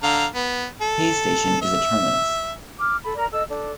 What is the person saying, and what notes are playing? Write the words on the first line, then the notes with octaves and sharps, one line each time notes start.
Hayes station is a terminus.
D3 F5 A#5
B3
A4
E5
D6 F6
A4 B5
A#4 D5 A#5
A4 D#5 E6
D4 A4